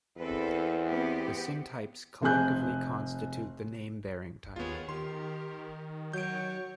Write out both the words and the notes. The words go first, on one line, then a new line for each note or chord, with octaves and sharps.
The syntypes collectively constitute the name-bearing type.
E2 C4 A4 B4
B3 C4 G4
F1 C4 G#4 G#5 F#6 G6
D#2 B3 F4 G#4 C#5
D#3 G4 A#4 C6
F#3 C#5 C#6 G6 D7